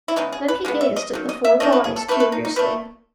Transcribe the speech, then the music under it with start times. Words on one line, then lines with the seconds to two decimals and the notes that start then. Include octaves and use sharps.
Then he gazed at the four boys curiously.
0.08 E4
0.16 C#3 G#3 B3 D#4
0.32 G#4
0.48 B4
0.65 C#3 G#3 B3
0.81 E5
0.96 D#5
1.13 D#3 F#3
1.29 D#5
1.44 E5
1.60 D#3 F#3 A3 D#5
1.72 B4
1.84 G#4
1.96 A4
2.08 D#3 A3 B4
2.20 B4
2.32 D#4
2.45 D#4
2.56 D#3 A3 B4